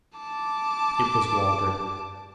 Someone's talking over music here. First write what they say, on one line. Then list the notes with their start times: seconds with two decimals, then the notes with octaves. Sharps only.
It was Waldron.
0.17 A5 D6